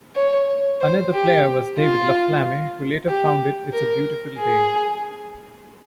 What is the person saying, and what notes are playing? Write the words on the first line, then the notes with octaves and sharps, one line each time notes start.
Another player was David LaFlamme who later founded It's a Beautiful Day.
C#5
C5
G4
F4
G4
A#4
G#4